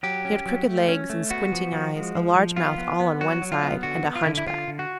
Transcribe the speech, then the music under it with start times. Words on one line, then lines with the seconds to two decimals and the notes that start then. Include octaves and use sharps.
He had crooked legs and squinting eyes, a large mouth all on one side, and a hunchback.
0.03 F#3 G4
0.25 C#4
0.46 F#3
0.67 A3
0.88 C#4
1.10 A3
1.30 B3 F#4
1.52 F3
1.72 F3
1.93 G#3
2.15 F3
2.36 F3
2.56 B3 F4
2.78 B3
3.00 B3
3.21 F#3 F#4
3.42 F#3
3.52 F4
3.63 B3
3.83 D3 F#4
4.04 B3
4.16 F4
4.23 E4
4.26 D3
4.38 E4
4.46 D3 F4
4.68 D3
4.79 F#4